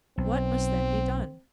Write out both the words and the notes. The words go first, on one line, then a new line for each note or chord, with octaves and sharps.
"What must then be done?"
B1 C4